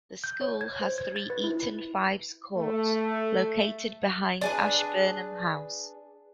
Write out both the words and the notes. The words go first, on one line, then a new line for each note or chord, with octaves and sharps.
The school has three Eton Fives courts, located behind Ashburnham House.
G6
C#5
G#6
C5
G#6
A6
B4
E4
A3
D4 G#4 B4